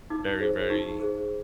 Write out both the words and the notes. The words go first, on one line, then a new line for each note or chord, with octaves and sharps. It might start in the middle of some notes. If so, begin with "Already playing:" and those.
very, very
D#4 D6
G#4 C5
D#4 C#6
G#4 C5